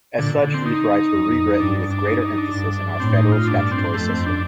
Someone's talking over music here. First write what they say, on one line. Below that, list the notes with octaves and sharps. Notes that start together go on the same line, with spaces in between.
As such, these rights were rewritten with greater emphasis in our federal statutory system.
A#2 D3
D3
C4
D#4
F2
G2 D4
D4
D#4
D#4
D4
G2
A2 C4
D#4
F4
G2 D4
C4
F2 A3
C4
D4